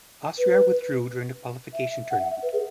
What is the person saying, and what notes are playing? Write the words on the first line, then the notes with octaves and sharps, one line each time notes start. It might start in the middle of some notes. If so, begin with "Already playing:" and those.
Austria withdrew during the qualification tournament.
B4
E5
F#5
E5
E5
B4
G#4